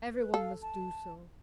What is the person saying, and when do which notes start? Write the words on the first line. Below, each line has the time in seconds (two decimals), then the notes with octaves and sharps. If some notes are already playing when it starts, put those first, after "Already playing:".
Every one must do so.
0.14 B4
0.34 A4 F5
0.62 A5